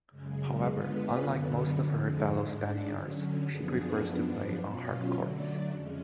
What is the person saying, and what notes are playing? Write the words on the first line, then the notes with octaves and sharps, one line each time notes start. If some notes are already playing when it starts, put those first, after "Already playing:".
However, unlike most of her fellow Spaniards, she prefers to play on hard courts.
F#2 C#3 G#3
D3 G#3 B3 F4 B4
F#2 D3 F#3 B3
F2 D3 G#3
G#2 G#3 D4
D3 F#3 C#4
F#2 F3 B3 D4 G#4
F#2 F3 B3 D4
B2 F#3 C#4 F4
D3 F#3 A3 D4
F2 C#3 G#3 C#4